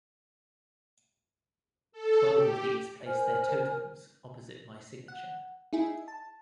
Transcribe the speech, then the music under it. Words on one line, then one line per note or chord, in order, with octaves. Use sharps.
Twelve of these placed their totems opposite my signature.
A4
G4
A#4 C5 G#5 F6
F#5
D#4 E4 G#4
A5